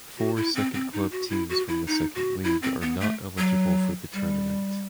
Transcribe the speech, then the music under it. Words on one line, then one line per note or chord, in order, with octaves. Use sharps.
Four second club teams from the Second League are not eligible for the tournament.
F#4
E4
C4
C4
D#4
F#4
E4
F#4
E4
D#4
F#4
E4
C4
B3
A3
F#3
G3